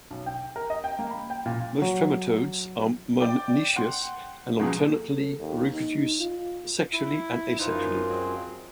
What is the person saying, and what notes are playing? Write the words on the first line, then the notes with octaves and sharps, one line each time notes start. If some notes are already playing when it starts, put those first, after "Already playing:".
Most trematodes are monoecious and alternately reproduce sexually and asexually.
B1
G5
A#4
D#5
G5
A#3
B5
G5
A#2
F#3
D5 G5 D6
F#5 G5 C6
C#2 B2 F3 F#3 G#4
A4
D#2
D#4
F4
E4
F#2 E3 F3 D#4 F4
F#3 G#3 C4